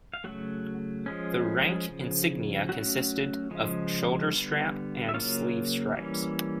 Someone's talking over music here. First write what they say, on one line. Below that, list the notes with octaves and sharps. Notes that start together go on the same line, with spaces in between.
The rank insignia consisted of shoulder strap and sleeve stripes.
F5
C#3 F#3 A3 F#4 F#5
F3 G#3 C#4
C#3 F3
F#3 A3 C#4 F#4 F#5
C#3 F3 G#3
D3 G3 B3
E5
C#3 F#3 A#3 C#4 F4 F5
E3 G3 A#3 C#4